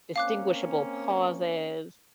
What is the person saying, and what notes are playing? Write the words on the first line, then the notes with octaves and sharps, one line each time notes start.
distinguishable pauses,
A#3 C4 C#4 F5 D6 F#6